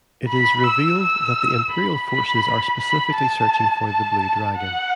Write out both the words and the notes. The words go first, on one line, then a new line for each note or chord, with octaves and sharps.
It is revealed that the Imperial forces are specifically searching for the blue dragon.
B5
E6
E6
B5
B5
B5
A5
A5
F#5